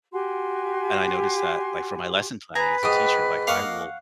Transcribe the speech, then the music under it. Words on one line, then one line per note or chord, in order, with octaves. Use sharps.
And I noticed that, like, for my lesson planning as a teacher, like, I will
F#4 G4 G#5 C6
G#4 B4 G#5 A#5
G#2 G4 D#6
A#3 D#5 F5 F#5 C#6